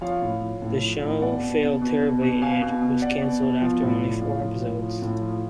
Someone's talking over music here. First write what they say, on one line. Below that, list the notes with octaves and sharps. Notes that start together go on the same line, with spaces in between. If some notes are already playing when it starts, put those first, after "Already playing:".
The show failed terribly and was cancelled after only four episodes.
F3 C#5 F5
A2
F3
A2
F3
A2
B2 D5 F#5
B2
B2
B2
B2
B2
B2 F5 G#5
B2
B2
B2 D5 F#5
B2
B2
F3
A2
F3
A2 C#5 F5
F3
A2
F3
A2
F3